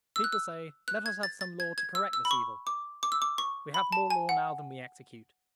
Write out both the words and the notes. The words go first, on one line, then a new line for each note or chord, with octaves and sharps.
People say--"Let us have some law to correct this evil." We have more law now than we execute.
E6
F#6
E6
F#6
G#6
A6
A6
G#6
G#6
E6
E6
B5
C#6
D6
D6
E6
D6
C#6
B5
A5
G#5
F#5